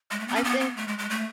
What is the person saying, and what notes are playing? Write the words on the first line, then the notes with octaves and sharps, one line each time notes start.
I think
G#3
A3
B3
C#4
B3
B3
A3
G#3
G#3
A3